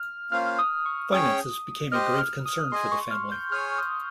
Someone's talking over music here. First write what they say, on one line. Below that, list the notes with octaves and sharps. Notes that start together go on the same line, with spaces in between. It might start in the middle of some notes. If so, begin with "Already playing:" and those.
Finances became a grave concern for the family.
Already playing: F6
A#3 C#4 F4 C5 F5 F6
D#6
C#6
C#4 G#4 C#5 G5 D#6
G4 C5 D#5 F6
F6
D#6
G#4 D#5 G#5 C6
C#6
F6
G6
G#4 C#5 G#5 F6
D#6